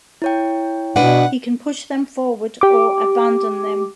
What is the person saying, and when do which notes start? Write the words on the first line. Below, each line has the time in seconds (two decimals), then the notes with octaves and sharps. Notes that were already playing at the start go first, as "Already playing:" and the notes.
He can push them forward, or abandon them.
0.22 E4 C#5 G5
0.96 B2 D4 B4 F#5
2.61 G4 D6